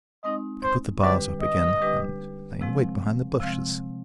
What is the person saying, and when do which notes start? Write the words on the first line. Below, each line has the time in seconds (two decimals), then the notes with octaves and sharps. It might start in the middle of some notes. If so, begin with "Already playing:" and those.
I put the bars up again, and lay in wait behind the bushes.
0.24 G#3 C4 D#4 D#5
0.63 C5
1.02 D3 G3 D4 G4 B4 D5
1.42 D#5
1.82 D3 G3 D4 G4 B4
2.61 C3 F3 G#3 C4
3.40 C3 F3 G#3 C4 F5